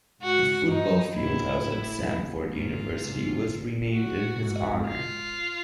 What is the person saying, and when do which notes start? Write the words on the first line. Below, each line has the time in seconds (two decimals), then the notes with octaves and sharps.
The football field house at Samford University was renamed in his honor.
0.22 G#2 F#4
0.69 G2 D#4
1.14 A2 E4
1.62 A2
2.54 G#2 F4
3.02 G#2
3.94 F#4
4.41 G#2
4.87 F4